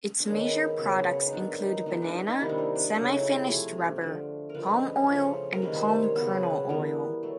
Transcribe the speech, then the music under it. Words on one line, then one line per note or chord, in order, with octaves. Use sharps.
Its major products include banana, semi-finished rubber, palm oil and palm kernel oil.
D4
D#3 G#3 B3 C#4
C#3 F#3 B3
D#4
D#3 F#3 B3 D4
D#4
E3 G#3 B3 D#4
D4
D#4
D#4
C3 D#3 G3 A#3 E4
D4
D#4
D4
C#3 F#3 A3 D4
D#4
E4
G4
C3 F3 A3 G#4
D3 F3 A3
A#4
D3 F3 G#3 B4
C#3 F3 A3
A#4
C3 D#3 G3 A#3 B4
C5
C5
C#5
C#3 F#3 B3 C5
B4
E3 G3 B3 A#4
F#3 A3